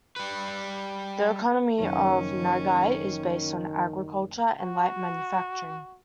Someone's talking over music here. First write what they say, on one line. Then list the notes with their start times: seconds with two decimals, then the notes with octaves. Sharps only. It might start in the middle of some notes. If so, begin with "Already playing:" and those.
The economy of Nagai is based on agriculture and light manufacturing.
0.16 G3 B4
1.80 F#1 D#3 C#4
4.60 F#4